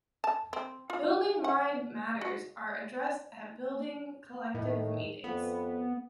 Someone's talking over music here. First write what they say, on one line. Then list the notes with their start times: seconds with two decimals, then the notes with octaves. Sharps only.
Building-wide matters are addressed at building collective meetings.
0.24 A5
0.53 C4
0.90 F4
1.44 F#5
2.21 F#4
4.54 A2 D#3
5.24 F2 B3